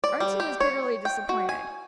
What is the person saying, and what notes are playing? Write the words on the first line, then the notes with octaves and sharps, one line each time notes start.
Archie was bitterly disappointed.
D5
G3
G4
C#5
G5
F#4
G#5